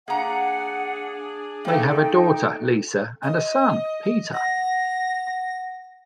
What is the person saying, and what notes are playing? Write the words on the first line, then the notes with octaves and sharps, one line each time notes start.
They have a daughter, Lisa, and a son, Peter.
A#3 D4 G#4 F#5 A#5
A3 A#3 D#4 G5
D#5
F#5 A#6